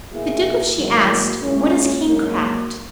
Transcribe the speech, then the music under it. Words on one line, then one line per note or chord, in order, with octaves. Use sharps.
The Duke of She asked, What is kingcraft?
B2 A#3 E4 G#4
G#2 D#3 F#3 A#3 E4
A#2 G#3 C#4 E4
G#2 F#3 A#3 D#4